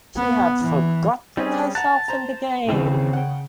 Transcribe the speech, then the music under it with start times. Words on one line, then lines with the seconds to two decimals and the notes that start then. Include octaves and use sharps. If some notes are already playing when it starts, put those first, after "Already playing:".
She had forgotten herself in the game.
0.17 B3
0.61 E3
1.37 G3 C4 C#4 G#4
1.75 F#5 A5 A#5 F#6
2.08 C5 A#5
2.69 D#2 C#3 E3 C4
3.13 F#5 G5